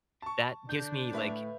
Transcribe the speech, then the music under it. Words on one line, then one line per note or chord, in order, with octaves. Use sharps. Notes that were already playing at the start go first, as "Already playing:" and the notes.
that gives me, like,
A5 C#6
D3 D4 G6
A2 B4 E5 F5